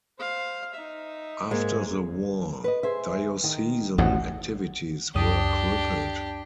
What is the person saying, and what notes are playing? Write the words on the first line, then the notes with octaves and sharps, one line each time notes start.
After the war diocesan activities were crippled.
C5 F5
D#4 E5
G#2 G#3 A#3
B4 D#5
G#4 C5 E5
D#3
A1 F2 G#2 F#4
C#2 F#2 D4 G4 D#6